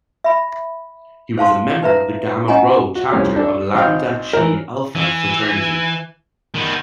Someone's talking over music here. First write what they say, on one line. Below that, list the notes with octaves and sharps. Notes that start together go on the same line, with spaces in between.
He was a member of the Gamma Rho Chapter of Lambda Chi Alpha fraternity.
E5 B5
C5 F5 A5 C6
D#4 B4 E5 A#5
C#4 D#5 F#5 G#5 A#5
F#4
C2 F2 C#4 G4 F6
D4 A4
G#1 F5 G5 F6
E3 A#4
E3
D#3 B3